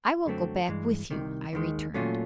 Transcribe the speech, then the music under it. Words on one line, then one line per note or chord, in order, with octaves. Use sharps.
"I will go back with you," I returned.
F#2 D3 F#3 A3 C4
G2 E3 G#3
C2 C3 D#3
D#2 D#3 G#3
A#2 F#3 A3 C#4 F4